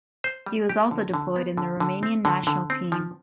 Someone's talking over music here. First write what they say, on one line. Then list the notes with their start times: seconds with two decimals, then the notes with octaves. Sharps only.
He was also deployed in the Romanian national team.
0.24 C5
0.46 G3
0.69 G4
0.91 D3
1.14 D3
1.36 B3
1.57 D3
1.80 D3
2.03 C4
2.25 D3
2.47 D3
2.70 C4
2.92 F3